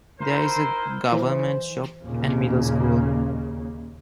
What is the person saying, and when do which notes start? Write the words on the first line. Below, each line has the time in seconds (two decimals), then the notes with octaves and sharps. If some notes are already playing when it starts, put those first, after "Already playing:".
There is a government shop and middle school.
0.20 D#4 E4 A#4 C5
1.12 E3 C5
2.03 D#2 A#2 C#3 A#3